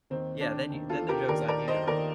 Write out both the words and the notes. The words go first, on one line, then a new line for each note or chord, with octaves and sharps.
Yeah, then then the joke's on you.
D#2 D#3 C4
D4
D#2 D#3
F4 A4
G4 A#4
D#2 D#3 A#4 D5
A#4 D5
C5 D#5
D#2 D#3 A#4 D5